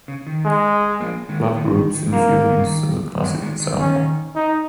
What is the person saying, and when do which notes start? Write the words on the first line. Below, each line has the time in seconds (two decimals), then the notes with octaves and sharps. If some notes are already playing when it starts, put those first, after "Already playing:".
Blood groups in humans is a classic example.
0.08 C#3
0.27 D#3
0.45 G#3
1.00 F3 A#3
1.29 D#3 G#3
1.56 D#3
1.75 D#3
1.94 D#3
2.12 C#3 F3 A#3
2.31 D#3
2.49 D#3
2.58 C#3
2.66 D#3
3.24 D#3 G#3
3.42 D#3 G#3
3.60 D#3
3.79 D#3 C#4
4.35 D#4